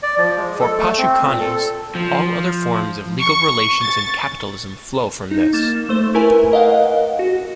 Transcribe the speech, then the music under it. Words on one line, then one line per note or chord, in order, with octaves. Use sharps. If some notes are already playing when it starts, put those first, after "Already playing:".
For Pashukanis, all other forms of legal relations in capitalism flow from this.
D5
F3
G#3
A4
A3
C4
A#2
A4
F3
C#6
A6
D#4
A#3 A6 E7
A3 C5
A3 E4 A#4 B4 G#5
A#4 D#5 F5 F#5
F#4